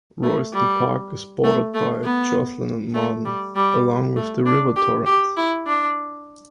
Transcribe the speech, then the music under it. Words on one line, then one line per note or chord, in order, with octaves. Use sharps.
Royston Park is bordered by Joslin and Marden, along with the River Torrens.
A3
G3
A3
A3
B3
A3
G3
G3
A3
D4
G4
G4
E4
D4